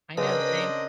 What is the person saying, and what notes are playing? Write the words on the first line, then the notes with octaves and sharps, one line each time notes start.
I know the name
C#3 C4 D4 A#4 B4 D#5